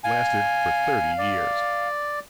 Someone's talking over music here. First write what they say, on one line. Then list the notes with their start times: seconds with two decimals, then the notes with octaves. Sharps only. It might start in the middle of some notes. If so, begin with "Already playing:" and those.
It lasted for thirty years.
0.04 F5 G#5
1.18 D5